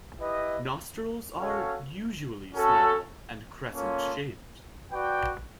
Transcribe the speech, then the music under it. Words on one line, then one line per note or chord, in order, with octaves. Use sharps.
Nostrils are usually small and crescent shaped.
E4 G4 B4 D#5
C#4 F#4 A4 C#5 F5
C#4 F#4 A4
A#3 C#4 F4 A4 C#5
F#4 B4 D5 G5